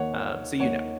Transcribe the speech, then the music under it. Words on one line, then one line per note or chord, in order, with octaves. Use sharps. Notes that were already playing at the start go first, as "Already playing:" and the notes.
Um, so you know.
Already playing: D#2 D#3 C#5 F#5
D#2 D#3 C#5 F#5